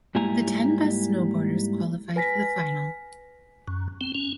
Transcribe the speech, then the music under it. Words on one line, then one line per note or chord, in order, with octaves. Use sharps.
The ten best snowboarders qualified for the final.
G#2 G3 A#3 E4 G#5 A#5
B4 G#5 A#6 B6
F#2
C4
C#4